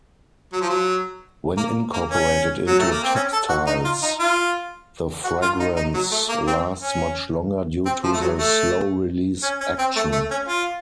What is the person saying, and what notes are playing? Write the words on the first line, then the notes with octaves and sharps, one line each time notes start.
When incorporated into textiles the fragrance lasts much longer due to the slow-release action.
F#3
F3
F#3
A#3
A#3
C#4
F#3
A3
A#3
C4
C#4
A4
F#4
D#4
F4
D#4
F4
F#4
F4
D#4
D#4
F#3
A3
A#3
C4
C#4
C4
F3
A3
F#3
A3
C#4
C#4
C4
A3
A3
C#4
F4